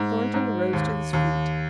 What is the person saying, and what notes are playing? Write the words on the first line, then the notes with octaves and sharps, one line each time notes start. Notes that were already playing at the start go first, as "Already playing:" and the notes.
Thornton rose to his feet.
Already playing: G#2
G#2
D#2
D#2